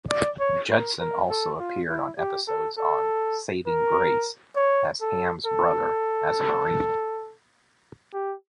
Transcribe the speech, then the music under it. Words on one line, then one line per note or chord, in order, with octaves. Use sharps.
Judson also appeared on episodes on "Saving Grace" as Ham's brother as a Marine.
D5
C#5
A#4
A#4
A4
F4
E4
G4
A4
A4
A#4
C#5
A4
A4
G4